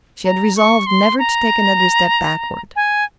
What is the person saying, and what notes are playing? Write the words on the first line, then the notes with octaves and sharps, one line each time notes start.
She had resolved never to take another step backward.
A#5
C#6
C6
A#5
G#5